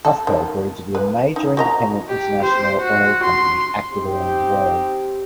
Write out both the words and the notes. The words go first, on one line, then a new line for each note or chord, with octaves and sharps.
Huffco grew to be a major independent international oil company active around the world.
A4
D#3
B4
D#4
F#4 D#5 A#5
G4
C5
F#4
C6
C4 D#4 G4